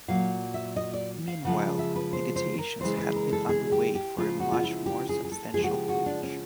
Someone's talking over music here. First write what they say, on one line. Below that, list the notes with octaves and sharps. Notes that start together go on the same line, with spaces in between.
Meanwhile, negotiations had been underway for a much more substantial bridge.
A#2 F#3 F5
E5
D#5
D5
F5
C#3 F3 G#3 F#5
E5
B4
C5
C5
A#4
C#3 E3 G#3 C5
B4
A#4
A4
G#4
G4
G4
C#3 F3 G#3 F4
F#4
F4
E4
G4
G#4
G#4
A4
C#3 F3 G#3 G#4
F#4
G4
F#4
D4
C#4